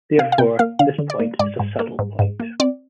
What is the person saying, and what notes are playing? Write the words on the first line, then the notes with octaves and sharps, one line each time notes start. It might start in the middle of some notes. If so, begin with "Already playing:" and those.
Therefore, this point is a saddle point.
C3 F5
F5
C3 G5
A#3 F5
D3 F5
D3
D5
A#3
G#2 D5
G#2
A#3
G#2
G#2
A#3
C4 D5